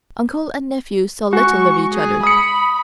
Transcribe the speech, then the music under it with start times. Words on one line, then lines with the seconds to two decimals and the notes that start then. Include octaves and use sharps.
Uncle and nephew saw little of each other.
1.33 G#3 F#4 C#6
1.92 G#4
2.23 B5 D#6 C#7